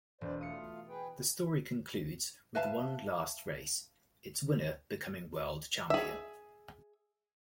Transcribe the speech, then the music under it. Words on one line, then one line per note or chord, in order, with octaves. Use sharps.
The story concludes with one last race, its winner becoming world champion.
E1 C5 D5
A3 F4 F5 D#6 C#7
G#4 B4 G5
B4 E5 F5 A5
G#4 E5